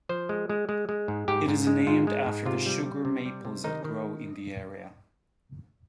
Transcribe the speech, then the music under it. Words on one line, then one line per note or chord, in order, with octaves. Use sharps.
It is named after the sugar maples that grow in the area.
F3 C5
G#3
G#3
G#3
G#3
G#2
G#2 G4
G#2
G#3
G#2 F4
G#3
G#2
C3 F4
G3
G3
C3
G3
C3
D#3 D#4
D#3